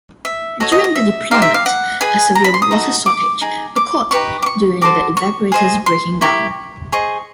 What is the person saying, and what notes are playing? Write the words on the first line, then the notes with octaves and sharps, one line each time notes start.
During the deployment, a severe water shortage occurred due to evaporators breaking down.
E5
F#4 A4 C#5 D#5
D#5
D#5
E5
D#4 G4 C5 F5
E5
F5
F#5
G#4 B4 D#5 G#5
A#5
B5
C6
D#6
D#4 F#4 A4
D6
D#4 G#4
D6
D#4 G4 B4 D5 C#6
D6
C#6
F#4 A4 C5 D6
C#6
G#4 C5 D#5
C6
E4 G4 A#4 C#6
G#4 C5 D#5 C#6